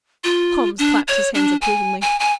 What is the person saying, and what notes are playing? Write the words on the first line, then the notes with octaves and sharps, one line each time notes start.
Holmes clapped his hands approvingly.
F4
D4
C#5
D4
G#5
G#5
G#5